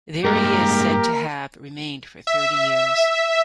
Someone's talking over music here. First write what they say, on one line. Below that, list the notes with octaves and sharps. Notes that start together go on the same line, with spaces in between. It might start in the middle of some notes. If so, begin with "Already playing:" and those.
There he is said to have remained for thirty years.
G2 G#3 A#3 G4 A#4
E5